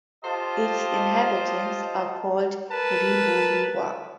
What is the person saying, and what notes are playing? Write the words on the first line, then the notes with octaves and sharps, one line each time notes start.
Its inhabitants are called "Ribeauvillois".
F4 G4 A4 C5 D#5 A5
A#4 B4 A5